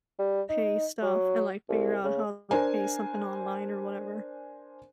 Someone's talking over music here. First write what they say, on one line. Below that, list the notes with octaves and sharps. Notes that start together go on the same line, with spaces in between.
pay stuff and, like, figure out how to pay something online or whatever.
G3
D#4
F#3
C2
C#3
D4 A#4 C5 G#5